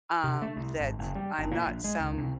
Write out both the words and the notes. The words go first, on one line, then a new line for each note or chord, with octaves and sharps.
um, that I'm not some
C3
A3
C2
G#1
F#1
G3
G1
A#2
A#1
G#3
C#2
C2